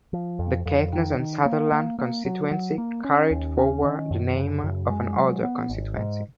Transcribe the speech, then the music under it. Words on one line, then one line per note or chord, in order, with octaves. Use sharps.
The Caithness and Sutherland constituency carried forward the name of an older constituency.
F3
F2
F2
D#3
D#3
A#3
A#3
A#3
F#3
F#3
A#3
C#4
D#2
C#4
D#3
F#2
C#3
F#2
G#3
F#3
B3
G#1
G#2